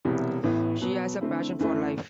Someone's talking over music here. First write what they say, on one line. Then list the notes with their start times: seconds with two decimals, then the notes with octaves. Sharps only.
She has a passion for life.
0.05 E1 E2 C3 E3 G3
0.43 A1 A2 E3 B3
0.82 B2 F#3 B3
1.21 D3 A3 C4 E4
1.59 F#2 E3 A3